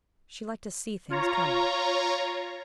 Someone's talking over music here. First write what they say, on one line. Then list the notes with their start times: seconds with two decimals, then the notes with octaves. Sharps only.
She liked to see things coming.
1.10 F4 C#5 A#5